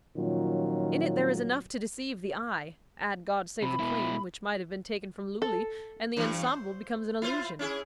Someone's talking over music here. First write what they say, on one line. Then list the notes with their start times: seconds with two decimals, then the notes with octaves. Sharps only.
In it there is enough to deceive the eye; add God save the Queen, which might have been taken from Lulli, and the ensemble becomes an illusion.
0.16 A#2 D#3 F3 F#3 C#4 F4
3.62 C3 B5
3.80 B2 E4
5.42 A4
6.17 G2 E3
6.46 C5
7.22 E4 F4 C5
7.59 C#4 E4 G#4